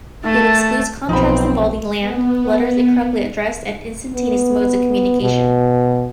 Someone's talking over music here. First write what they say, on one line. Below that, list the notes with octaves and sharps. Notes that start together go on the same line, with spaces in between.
It excludes contracts involving land, letters incorrectly addressed and instantaneous modes of communication.
A3 A5
B1 F3 C4 D#4 B5
B3
B3
B2